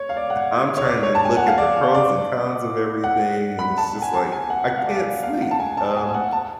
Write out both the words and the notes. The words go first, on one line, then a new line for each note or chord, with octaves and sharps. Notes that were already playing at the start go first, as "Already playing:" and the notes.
I'm tryna look at the pros and cons of everything and it's just like, I can't sleep. Um,
Already playing: C#5
F5
D5
F#5
C#5
D5
C#5
A5
G#5
F#5
F5
D5
F5
D5
F#5
B5
A5
G#5
A5
G#5
F#5
F#5
F5
D5
F5
F5
F#5
A5
G#5
A5
G#5
F#5
A5